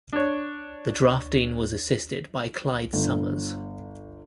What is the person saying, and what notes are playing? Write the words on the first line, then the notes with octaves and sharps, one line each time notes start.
The drafting was assisted by Clyde Summers.
D4 C#5
G1 D3